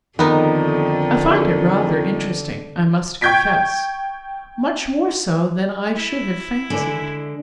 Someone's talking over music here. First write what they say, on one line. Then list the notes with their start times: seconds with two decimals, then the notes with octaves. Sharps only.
I find it rather interesting, I must confess, much more so than I should have fancied.
0.19 F2 D3 D#3 B3 D#4
3.21 G5 C#6 G6 G#6 B6 D7
5.97 E4
6.70 D3 G#3 D4 D5